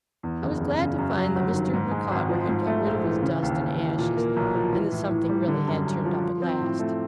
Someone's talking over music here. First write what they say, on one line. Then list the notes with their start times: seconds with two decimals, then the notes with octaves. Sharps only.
I was glad to find that Mr. Micawber had got rid of his dust and ashes, and that something really had turned up at last.
0.23 E2
0.42 F#1
0.61 F#1
0.79 C#3
0.98 F#2
1.17 F#3
1.35 G1
1.54 D#3
1.74 G#2
1.91 G#3
2.11 G#1
2.29 F3
2.49 G#2
2.66 A3
2.86 A#1
3.04 E3
3.22 C#3
3.42 D#2
3.61 D#2
3.79 E3
3.98 A#2
4.17 A#3
4.36 B1
4.55 F3
4.73 E3
4.92 A2
5.11 A2
5.29 G3
5.48 D3
5.67 F#2
5.86 F#2
6.05 F3
6.24 F3
6.42 C4
6.61 A2
6.79 A3